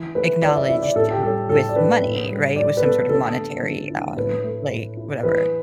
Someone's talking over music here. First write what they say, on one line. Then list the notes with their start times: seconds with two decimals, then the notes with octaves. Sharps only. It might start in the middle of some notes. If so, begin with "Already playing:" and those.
acknowledged with money, right? With some sort of monetary, um, like, whatever.
Already playing: E3
0.15 A3 B4
0.42 E3 D5
0.56 E5
0.69 E4 E5
0.82 D5
0.95 A2 A4
1.11 G4
1.22 G3 A4
1.49 A2 A4
1.69 D5
1.76 D4 B4
2.03 A2
2.29 G3
2.56 A2 D5
2.77 B4
2.83 B3 A4
3.09 D3 A4
3.37 A3
3.63 D3
3.90 E4
4.16 A2 B4
4.44 A3
4.70 A2
4.97 E4
5.23 E3 B4